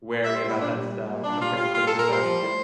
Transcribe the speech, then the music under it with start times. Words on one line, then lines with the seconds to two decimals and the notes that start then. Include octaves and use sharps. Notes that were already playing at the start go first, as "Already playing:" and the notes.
wary about that stuff compared to just, like
0.23 G3 E5
0.36 A#2 C5
0.49 E4
0.57 A#2 D4
0.74 G3
0.91 G3
1.07 A#2
1.23 A#2 D4
1.40 G3 F4
1.57 G3 F4
1.73 A#2 F4
1.86 A#2 A4
1.99 A#4
2.07 G3 C5
2.24 F3
2.41 A2